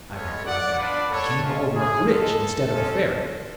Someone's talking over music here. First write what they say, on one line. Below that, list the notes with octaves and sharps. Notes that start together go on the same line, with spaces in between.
I recollect now, I came over a bridge instead of a ferry.
G#3 B3 F4 A4 C#5
D5 F#5
B3 D4 F4 B4 D5
A4 C#5
G#3 C#4 F4
G#4
G#3 B3 F4 A4
G#3 C#4 F4